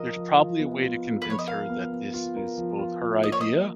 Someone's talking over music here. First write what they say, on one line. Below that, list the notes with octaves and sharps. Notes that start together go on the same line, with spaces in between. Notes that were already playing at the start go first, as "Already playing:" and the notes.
there's probably a way to convince her that this is both her idea
Already playing: F3 A#4 D#5
F3
F4
B3
F4
F4
B4
F3 C#5
D#5
A#4 F5
B3
B3
F4
A#4
F3
F4
F3
A#3 D#5
C#5
D#5
A#3